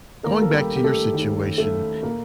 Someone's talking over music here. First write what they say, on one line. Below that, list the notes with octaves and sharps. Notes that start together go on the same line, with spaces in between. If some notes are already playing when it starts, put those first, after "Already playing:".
going back to your situation,
D#2 D#3 A3 A#3 A#4
A4
G3 G4
G4
A3 A4
D#2 D#3 A3
A3 A4
A#2 A3 A#3 A#4